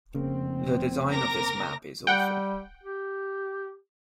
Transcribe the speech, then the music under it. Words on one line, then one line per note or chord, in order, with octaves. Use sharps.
The design of this map is awful.
F1 C#3 A#3 C4
A#4 D6 A#6
G3 F#5 G5
G4